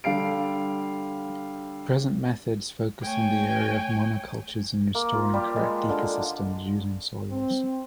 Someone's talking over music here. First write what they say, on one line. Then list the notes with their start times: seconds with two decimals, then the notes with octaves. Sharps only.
Present methods focus on the area of monocultures and restoring correct ecosystems using soils.
0.04 D3 G3 F5 C7 D7
3.03 A3 C#5 G5 G#5
4.95 A#3
5.13 F4
5.33 G3
5.56 G#3
5.89 D3
7.31 C4